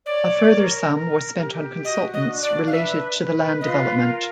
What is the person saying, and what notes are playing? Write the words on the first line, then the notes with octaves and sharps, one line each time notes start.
A further sum was spent on consultants related to the land development.
C#5 D5
A#4
A#4
G4
F#4 D#5
D#5
D4
D5
F5
B4 E5
B4
F4 D#5
A#4